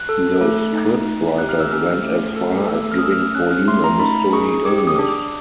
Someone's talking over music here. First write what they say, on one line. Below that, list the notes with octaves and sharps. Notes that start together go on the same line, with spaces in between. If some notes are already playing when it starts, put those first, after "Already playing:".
The scriptwriters went as far as giving Pauline a mystery illness.
Already playing: F#6
A4
A3
D#4
D#4
G4 F#6
F6
E6
C#4 F6
A3
A4
A3 E6
F6
D#6
C#4 E6
F6
C#4 F#6
F6
A3 C6
A#5
D#4 B5
G#4 C#6
G4 D6
D#6
D4
D6